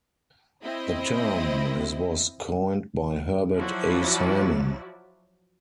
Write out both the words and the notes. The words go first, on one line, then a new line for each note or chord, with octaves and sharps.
The term is was coined by Herbert A. Simon.
C4 E4 D#5
F3 F#3 E4 F#4 D5 E5